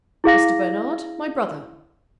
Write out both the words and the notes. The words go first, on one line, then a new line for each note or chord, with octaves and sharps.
Mr. Bernard--my brother.
E4 G#4 F5 A#6